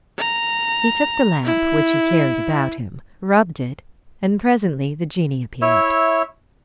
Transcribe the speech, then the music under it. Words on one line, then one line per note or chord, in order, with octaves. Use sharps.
He took the lamp, which he carried about him, rubbed it, and presently the genie appeared.
A#5
E4
E4 C#5 E5